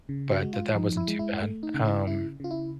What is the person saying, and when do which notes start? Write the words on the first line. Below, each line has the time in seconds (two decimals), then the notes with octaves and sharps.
but that that wasn't too bad, um,
0.09 C#3
0.31 F#4
0.42 G#3
0.54 F4
0.75 F3 D#4
0.97 E4
1.08 G#3
1.19 E4
1.41 A3
1.63 D#4
1.74 C#3
1.85 E4
2.07 C#3 E4
2.40 C#3 F4
2.51 E4